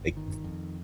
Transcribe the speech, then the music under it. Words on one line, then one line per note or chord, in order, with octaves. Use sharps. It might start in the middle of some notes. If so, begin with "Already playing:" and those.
Like v
Already playing: G1
D#3
F2